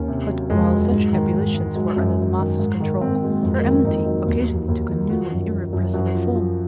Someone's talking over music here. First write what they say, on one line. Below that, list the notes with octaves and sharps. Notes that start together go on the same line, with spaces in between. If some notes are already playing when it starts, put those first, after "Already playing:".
But while such ebullitions were under the master's control, her enmity occasionally took a new and irrepressible form.
Already playing: D#2 C#4
C3
F#3
F2 G#3
F#3
G#2
D#3
G#2
G#2
F#3 G#3
F#2
F#3
D#3
G#2
D#3
G#2 C4
C4
F#3 G#3
A#3
F2 G#3
A#3
D#3
C4
F2 D#4
F#3 D#4
D#2
D#2
D#2
D#3
F3 F#4
F#2
F3
F#2
F#2 F#4
F3
F3